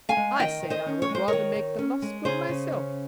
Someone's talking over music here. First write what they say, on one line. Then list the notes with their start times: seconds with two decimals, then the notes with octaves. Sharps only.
I say I would rather make the loss good myself.
0.09 F5 G#5
0.17 G#3
0.39 D#3 D#5 G5
0.63 D#3
0.70 C5 D#5
0.86 C#4
1.02 C#5
1.09 G#3
1.15 C5
1.28 D#3 A#4 C#5
1.56 D#3
1.79 C#4
2.02 G#3
2.25 C#3 G#4 C5
2.49 C#3
2.72 C#4